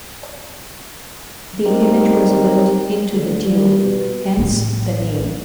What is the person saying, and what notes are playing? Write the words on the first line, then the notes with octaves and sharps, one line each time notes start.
The image was built into the tube, hence the name.
G3 C4 D#4 G4 A#4
D2
G3
B2
A1 F3